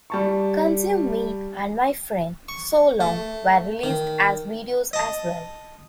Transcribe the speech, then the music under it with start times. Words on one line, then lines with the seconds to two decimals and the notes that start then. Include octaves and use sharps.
"Consume Me" and "My Friend, So Long" were released as videos as well.
0.10 G3 A5 C#6
2.49 C#6
3.00 A3
3.83 D#3
4.93 D#5 A5